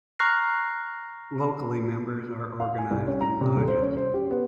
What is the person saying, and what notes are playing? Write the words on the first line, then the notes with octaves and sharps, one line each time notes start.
Locally, members are organised in lodges.
A#5 C#6 F6 F#6 A#6 C7
F5
G#5
C2
C#4
A#5
C3
D#1
C5
C#4
C5
G4
B3